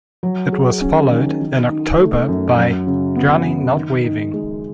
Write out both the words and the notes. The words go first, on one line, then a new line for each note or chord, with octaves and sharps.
It was followed, in October by "Drowning Not Waving".
F#3
G#4
C#4
D#3
D#3
D#4
A3
F#2
F#3
C#3
B3
C#3
D#3
D#4
G#3